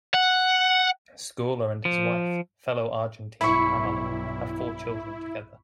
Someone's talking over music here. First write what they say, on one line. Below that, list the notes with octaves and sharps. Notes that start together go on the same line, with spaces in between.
Scola and his wife, fellow Argentine Pamela, have four children together.
F#5
F3
B1 G2 E4 B5 C#6